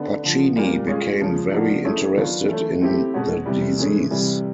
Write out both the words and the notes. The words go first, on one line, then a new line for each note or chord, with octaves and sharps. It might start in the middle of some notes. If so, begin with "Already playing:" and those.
Pacini became very interested in the disease.
Already playing: D3 B3 D4
D3 F3 A3
A#2 G3 A#3
G#3 C#4 F4
C#3 F3 G#3 C#4
F3 A#3 D4 F#4
A3 C#4 E4 G#4
D#3 F#3 B3 D4 F4
E3 A3 C#4
A3 C4 E4 G4
B2 G#3 C#4 F#4
C3 E3 G3
A2 E3 G#3 C#4
C3 E3 G3